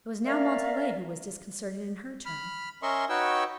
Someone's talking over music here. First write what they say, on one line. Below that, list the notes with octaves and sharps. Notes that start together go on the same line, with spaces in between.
It was now Montalais who was disconcerted in her turn.
A#4 D5 E5 F5
B5 F6
C#4 A#4 D#5 E5 C6 C#6
D#4 F#4 B4 C#5 G5 E6